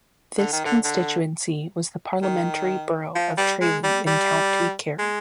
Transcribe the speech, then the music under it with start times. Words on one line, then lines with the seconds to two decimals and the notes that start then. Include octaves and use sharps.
This constituency was the parliamentary borough of Tralee in County Kerry.
0.38 D3
0.53 D#3
0.65 D3
0.84 D3
2.22 D#3
3.15 F3
3.37 G3
3.61 G#3
3.84 G3
4.07 G3
4.99 G#3